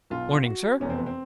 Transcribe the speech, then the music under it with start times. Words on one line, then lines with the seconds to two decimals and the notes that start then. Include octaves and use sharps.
'Morning, sir!
0.10 B1 B2 F4
0.46 F#4
0.80 F1 E2 B2 C#4
0.90 C4
0.98 B3
1.06 C4